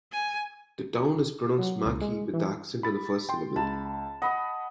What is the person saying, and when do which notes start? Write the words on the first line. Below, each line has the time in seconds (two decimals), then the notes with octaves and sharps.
The town is pronounced "Mackie" with the accent on the first syllable.
0.12 G#5
1.59 F#3
1.86 C#2
2.02 G#3
2.34 E3
2.83 B5 A6
3.29 G5 C6
3.56 C#2 A5 B5
4.22 D#5 F#5 B5 D#6